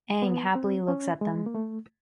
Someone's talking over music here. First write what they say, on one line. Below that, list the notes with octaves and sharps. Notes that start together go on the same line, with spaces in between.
Aang happily looks at them.
B3
C4
C#4
G#3
A#3
A3